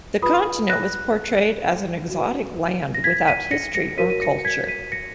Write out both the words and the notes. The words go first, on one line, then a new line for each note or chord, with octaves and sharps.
The continent was portrayed as an exotic land without history or culture.
F4 B4 B5 D#6
F#6 A#6
F#4 B4
A#6
G#6 B6
B6 D#7
A#6 C#7
A#6 C#7
F#4 A#4 C#5 B6 D#7
D#7
A#6 C#7
C#7
G#6 B6
B6 D#7
A#6 C#7